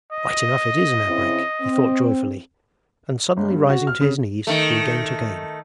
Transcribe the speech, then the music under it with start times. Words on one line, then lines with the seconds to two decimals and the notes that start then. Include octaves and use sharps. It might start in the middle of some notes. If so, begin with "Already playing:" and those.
'Right enough it is an abrek! he thought joyfully, and suddenly rising to his knees he again took aim.
0.12 D#5
1.07 C#3 C4 E4
1.61 C4
3.37 G1
3.50 G2
3.70 F#4
3.87 F6
4.01 C#3
4.47 D#3 A3